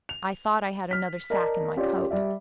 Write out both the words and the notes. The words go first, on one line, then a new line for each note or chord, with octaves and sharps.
I thought I had another sack in my coat.
F7
F6 B6
A#4 D5 D#5 A5 A#5
C#4 F4 G4 C#5 D5
G3 D5 E5